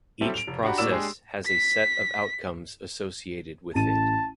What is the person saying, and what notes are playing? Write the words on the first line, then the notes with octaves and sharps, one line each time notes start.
Each Process has a set of outcomes associated with it.
F#3 G3 C4 E4 G4 A4
D7 F7
F1
D4 F#4 G4 F#5 A#5 B5
A2 A#3 F#4 D5 E6 E7
G#3 D4 G4 G#4
B6
A1 A5 D#7